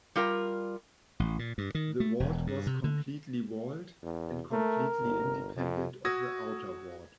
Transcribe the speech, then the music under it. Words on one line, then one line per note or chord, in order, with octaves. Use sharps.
The ward was completely walled and completely independent of the outer ward.
G3 F4 A#4 G5
A1
A#2
G2
D#3
A3
E1
G2
C3
D3
E2
A3 A#4
G1
F2
F#4 D#6 E6 G#6 A#6